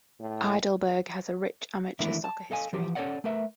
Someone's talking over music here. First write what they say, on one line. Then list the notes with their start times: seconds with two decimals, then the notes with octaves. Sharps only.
Heidelberg has a rich amateur soccer history.
0.20 A2
1.99 D#3 E3 A3 A#3 D4 E4
2.24 A5
2.51 A4 D#5 F5 G#5
2.73 E3 F3 G4
2.95 C#4 A4 A#4 C#5 D5 F#5
3.24 A3 A#4 B4 E5